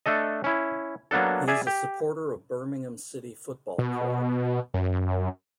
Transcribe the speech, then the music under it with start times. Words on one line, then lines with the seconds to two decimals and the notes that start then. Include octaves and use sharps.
He is a supporter of Birmingham City Football Club.
0.06 A3 D4 A4 D#5
0.44 C#4 E4
1.11 F#3 A#3 B3 D4 A4
1.48 G#4 D5 E5 G#5
1.67 G4
3.78 B2
4.74 F#2